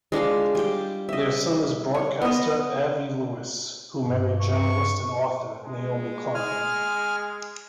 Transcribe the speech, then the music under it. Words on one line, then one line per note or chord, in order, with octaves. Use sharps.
Their son is broadcaster Avi Lewis, who married journalist and author Naomi Klein.
G#3 D4 F4 F5
G3 G5
D#5 E5
C#5
B3 D#5
G2
C#6
G#3
G#5 F6